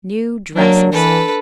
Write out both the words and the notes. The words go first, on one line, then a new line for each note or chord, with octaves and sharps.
New dresses!
F#3 A#3 D4
E3 A4 B4